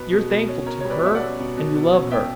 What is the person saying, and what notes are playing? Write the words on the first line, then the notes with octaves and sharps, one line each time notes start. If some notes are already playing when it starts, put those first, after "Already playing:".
You're thankful to her, and you love her.
Already playing: B2 B4
B2
B2
C#4
C#4 A#4 C#5
G3 C#5
B4 D5
B2 E5
D5 F#5
C#4
B2
B2
B2
C#4
B2 E5 G5